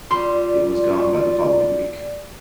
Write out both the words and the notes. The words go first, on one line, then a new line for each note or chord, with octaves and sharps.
It was gone by the following week.
G3 F4 D5 C6